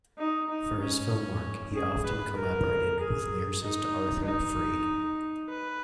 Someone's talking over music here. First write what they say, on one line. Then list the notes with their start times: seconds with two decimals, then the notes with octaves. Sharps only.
For his film work, he often collaborated with lyricist Arthur Freed.
0.18 D#4
0.49 D#4
0.81 C#4
1.74 G#4
2.06 B4
2.37 A#4
2.99 G#4
3.62 D#4
4.24 D#4
5.49 B4